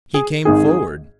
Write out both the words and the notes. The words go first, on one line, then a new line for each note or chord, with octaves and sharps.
He came forward.
G#4
G#1 G#2 D#3 G#4